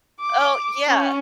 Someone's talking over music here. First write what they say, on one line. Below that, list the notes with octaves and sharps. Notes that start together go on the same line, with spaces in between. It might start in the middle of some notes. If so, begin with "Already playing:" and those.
Oh, yeah.
D6
C#4